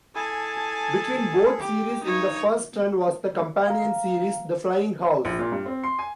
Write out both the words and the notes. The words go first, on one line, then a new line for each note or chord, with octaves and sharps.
Between both series in the first run was the companion series "The Flying House".
E4 G#4 A4 G#5 A5
G4
G2 D#4 C#5
F5 A#5
A#1
A#2
G2
C4
C6
G#5